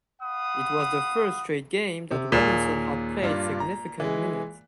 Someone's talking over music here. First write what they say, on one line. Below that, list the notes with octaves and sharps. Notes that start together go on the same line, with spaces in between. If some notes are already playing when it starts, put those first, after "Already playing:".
It was the third straight game that Robinson had played significant minutes.
F5 F#5 B5 D#6
C3
D#2 A#2 G#4 E7
G2 D4 F4
A#5
E3 G#3